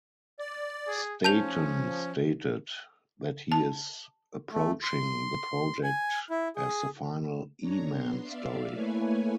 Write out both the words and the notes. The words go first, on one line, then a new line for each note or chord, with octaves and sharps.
Staton stated that he is approaching the project as the final E-Man story.
D5
G#4
F3 C#4 A5 G6 F7
A5
A3
C6
G#5
E4
G#4
D4 C#5 A#5
B3 C6
D5 E5 F5
A3 A#3 E4 B4 C#5 G#5